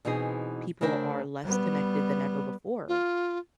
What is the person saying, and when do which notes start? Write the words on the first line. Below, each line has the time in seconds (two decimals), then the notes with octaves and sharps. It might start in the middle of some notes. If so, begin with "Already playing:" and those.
people are less connected than ever before.
0.05 B2 E3 C4 D#4 G#4
0.81 C#3 A3 D4 A#4 C5 G5
1.44 G3 B3
2.88 F4